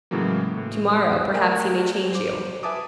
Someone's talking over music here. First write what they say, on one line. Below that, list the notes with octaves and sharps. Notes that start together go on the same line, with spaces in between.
To-morrow, perhaps, he may change you.
A2 C#3 E3 F#3 G#3 A#3
A2
A3 A#4 D5 G5 G#5
C5 D6
B4 E5 G#5 A5 D6 D#6